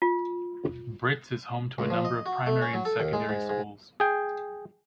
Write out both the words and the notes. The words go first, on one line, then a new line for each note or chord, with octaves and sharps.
Brits is home to a number of Primary and Secondary Schools.
F4
C#2
F3
D#5
F#4
A3
C#4
F#3
A4
D#2
G#3
G#2
G#2
G#4 G5